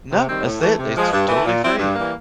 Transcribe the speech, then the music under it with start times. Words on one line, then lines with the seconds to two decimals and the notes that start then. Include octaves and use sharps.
No, that's it, it's totally free,
0.12 C3
0.28 D#3 G3 C4
0.45 A2
0.61 E3 A3
0.78 C3
0.96 F3 G#3
1.12 G2
1.28 E3 A3
1.45 A#2
1.63 G3 C4 E4
1.78 G2
1.95 E3 G3 A#3